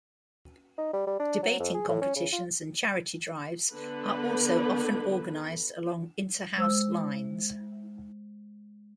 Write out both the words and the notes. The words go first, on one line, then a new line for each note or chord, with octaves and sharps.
Debating competitions and charity drives are also often organised along inter-house lines.
D#4
G3
G3
D4
F#3
F2
G#4
A2
C#4
C#3
F4
D3 B3 B4
G#3 C5 E6